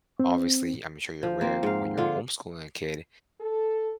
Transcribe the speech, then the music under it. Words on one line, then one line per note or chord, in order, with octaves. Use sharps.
obviously, I'm sure you're aware, when you're homeschooling a kid,
C4
F3
A#3 C4
G#2 F5
D3 F4
A4